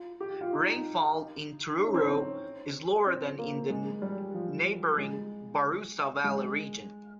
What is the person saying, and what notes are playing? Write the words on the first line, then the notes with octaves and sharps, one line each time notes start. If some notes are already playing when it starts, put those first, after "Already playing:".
Rainfall in Truro is lower than in the neighbouring Barossa Valley region.
Already playing: F4
G4
F4
D#4
D#4
C#4
C4
C#4
C4
A#3
G#3
G3
F3
G#3
G#3